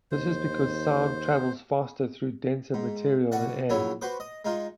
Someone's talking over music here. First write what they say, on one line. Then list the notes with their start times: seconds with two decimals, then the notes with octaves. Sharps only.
This is because sound travels faster through denser material than air.
0.11 D#2 C5
2.74 G#2
3.32 B2 F#4 D5 F#5
3.70 A#1 C#3 F#3 E4 C#5
4.01 F#4 B4 C5 D6
4.20 D#5
4.45 G#3 D#4 F4